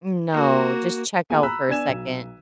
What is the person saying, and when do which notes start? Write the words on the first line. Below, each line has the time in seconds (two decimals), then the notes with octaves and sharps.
Mm, no just check out for a second.
0.32 A#3 F#4
1.30 A#3 B3 F4 G#4 G#5
1.43 A#5 B5 E6 F#6 B6
1.69 B3 D4 D5 G#5 G#6 E7
1.88 B1